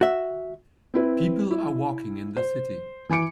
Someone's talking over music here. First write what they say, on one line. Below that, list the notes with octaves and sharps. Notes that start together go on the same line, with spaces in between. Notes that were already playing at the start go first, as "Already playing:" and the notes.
People are walking in the city.
F#4 E5
C4 E4 B4
E4
C5
E3 G#5 D6 C#7 D7